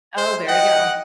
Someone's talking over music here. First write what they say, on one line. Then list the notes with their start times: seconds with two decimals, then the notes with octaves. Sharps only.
Oh, there you go.
0.18 C5
0.48 D#5 F#5 G5